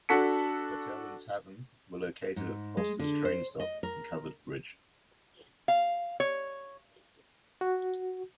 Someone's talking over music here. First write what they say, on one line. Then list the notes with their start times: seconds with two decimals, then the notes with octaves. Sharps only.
The hotel and tavern were located at Foster's train stop and covered bridge.
0.09 D4 F#4 A4 B6 C#7
2.36 G#2
2.77 G#3
2.99 D3
3.25 C5
3.60 D#5
3.83 A#4
5.68 F5
6.20 C#5
7.61 F#4